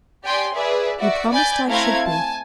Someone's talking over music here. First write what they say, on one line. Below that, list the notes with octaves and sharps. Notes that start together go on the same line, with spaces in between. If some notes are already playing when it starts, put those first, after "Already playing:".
"You promised I should be."
G4 D5 G5 G#5 C6
G#4 B4 D5 E5
F#4 D5 E5
D5 G#5 B5 G6 A6
A3 C4 E4 F5 A#5 G#6
G#5 A5